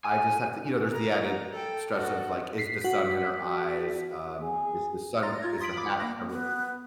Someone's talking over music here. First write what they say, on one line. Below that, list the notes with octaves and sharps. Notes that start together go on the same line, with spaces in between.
I just have to you know, there's the added stress of, like, is the sun in her eyes, um, is the sun is the hat covering
G#5
A#4 A#5
A4 G5
F#4 A4
B6 C7
F#4 B6
G#4
A#5 C6 A6 A#6
F4 G#6
C6 D#6 B6 D7 F#7
B5 D6
A#3 A#6
B3